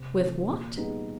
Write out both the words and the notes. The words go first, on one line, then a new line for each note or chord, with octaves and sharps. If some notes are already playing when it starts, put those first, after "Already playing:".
"With what?"
Already playing: C3
E3 A3 C4
A#2
G3 B3 D#4 G#4